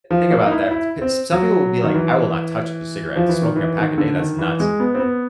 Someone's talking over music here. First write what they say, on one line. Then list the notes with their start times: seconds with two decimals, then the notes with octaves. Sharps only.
think about that, t p Some people will be like, I will not touch the cigarette, smoking a pack a day, that's nuts,
0.11 F3
0.31 A#3
0.47 D#4
0.51 E4
0.71 E4
1.01 C4
1.32 F#3
1.83 D#3
1.94 E3
3.16 F3
3.29 E3
3.42 D#3
3.56 E3
3.78 D#3
3.98 D3
4.19 D#3
4.38 E3
4.60 G#3
4.80 B3
4.95 C4
5.00 B3